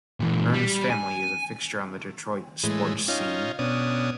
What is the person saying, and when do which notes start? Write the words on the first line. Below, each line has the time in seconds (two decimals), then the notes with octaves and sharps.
Hearns' family is a fixture on the Detroit sports scene.
0.20 A#2 E3
0.54 G3
0.90 G#5
2.63 A2 E3 G#3
3.08 C#4 D#4 F4
3.59 B2 C#4 D4 D#6